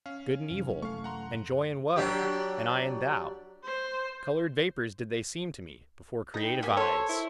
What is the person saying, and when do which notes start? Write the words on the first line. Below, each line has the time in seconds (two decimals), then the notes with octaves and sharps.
Good and evil, and joy and woe, and I and thou--coloured vapours did they seem to me before creative eyes.
0.06 C#4 F5
0.51 F#2 C3 E3
0.82 A3 F5 C#6
1.04 F#5 A#5 C6
1.96 F#3 D4 G4
3.63 C5
6.34 D#4 G5 A#5
6.63 A#3 G4 G#5
6.77 A4 C5 C#5
7.09 E4 C5